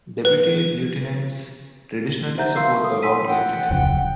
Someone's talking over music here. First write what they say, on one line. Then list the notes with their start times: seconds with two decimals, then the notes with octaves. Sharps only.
Deputy Lieutenants traditionally support the Lord-Lieutenant.
0.25 B4
2.38 C5 E5 F#5 A#5 G6
2.56 A#4 F5 C6 E6 C7
2.82 A4 D#6
3.02 F#5 G#5 C6 E6 B6 D#7
3.28 F#5 G5
3.71 D1 F2 C#3